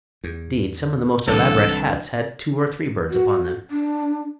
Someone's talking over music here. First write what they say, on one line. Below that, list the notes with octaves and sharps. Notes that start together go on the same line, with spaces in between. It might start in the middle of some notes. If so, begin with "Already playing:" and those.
Indeed, some of the most elaborate hats had two or three birds upon them.
E2
C2 D3 E3 A4
F#4
D4